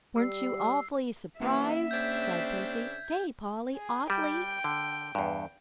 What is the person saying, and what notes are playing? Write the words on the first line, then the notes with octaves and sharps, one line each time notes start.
"Weren't you awfully surprised?" cried Percy; "say, Polly, awfully?"
G3 E6 C7
C3 E3 A#3 C#4 E5 F#5
C#3 C4 D4 G6 G#6 B6
G#4
G3 G5
D3
E2 G2